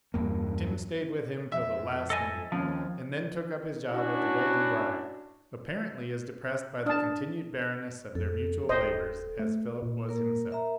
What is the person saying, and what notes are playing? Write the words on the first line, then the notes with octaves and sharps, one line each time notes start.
Tim staid with him till the last moment, and then took up his job at the Golden Brier, apparently as depressed by the continued barrenness of their mutual labors as Philip was himself.
E2 G2 A#3
F2 E5
A4 D#5 G#5
D#2 G#2 F3 C4 C#4
C#4 D4 E4 F#4
D4 D5 A5 D#6 F6
F2 A4
D1 C5 D#5
A3
A#2
A#3 A#4
A#4 E5 A#5